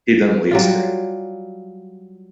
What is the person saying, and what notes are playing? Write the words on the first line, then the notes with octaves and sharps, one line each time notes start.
He then leaves her.
F#3 G3 F4